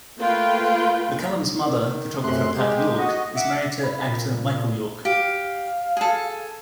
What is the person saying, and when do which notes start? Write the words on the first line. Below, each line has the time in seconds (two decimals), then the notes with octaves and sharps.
McCallum's mother, photographer Pat York is married to actor Michael York.
0.18 A3 A#3 F4 B4 G5
1.59 D#3
2.23 F#2 C3 A3 C6 F#6
2.56 G#3 G4
2.97 F#4 D#5
3.36 E5 F#5 D6
3.83 B5
4.07 A#2
5.05 G4 F5
5.97 G#4 A4